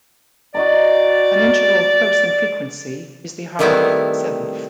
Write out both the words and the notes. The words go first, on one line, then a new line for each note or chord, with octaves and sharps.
An interval close in frequency is the harmonic seventh.
F#4 D5 D#5 A#5
D#3 G3 A3 B3 C4 E4